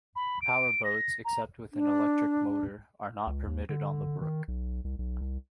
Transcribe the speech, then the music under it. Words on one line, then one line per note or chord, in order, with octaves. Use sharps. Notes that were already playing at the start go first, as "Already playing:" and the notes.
Power boats, except with an electric motor, are not permitted on the brook.
B5
D7
A#6
A#5
D4
C#2
D#2
D3
D#3
B1
C2
B1
C2